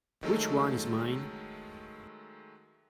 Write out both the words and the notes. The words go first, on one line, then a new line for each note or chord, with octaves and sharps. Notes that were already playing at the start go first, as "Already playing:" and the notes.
Which one is mine?
D#3 F#3 G#3 A3 A4